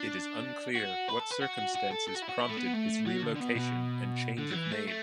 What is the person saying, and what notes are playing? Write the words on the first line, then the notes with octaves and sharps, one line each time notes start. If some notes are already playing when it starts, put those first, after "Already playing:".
It is unclear what circumstances prompted his relocation and change of name.
Already playing: D4
F#4
B4
A4
B4
F#4
F#4
A4
A4
F#4
E4
F#4
E4
A3
B3
A3
F#3
D3
D3
B2
B2
D3
F#3
E3
A3
A3